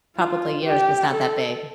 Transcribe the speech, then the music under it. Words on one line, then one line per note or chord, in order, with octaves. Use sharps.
Probably yours is not that big.
F4
G4
A4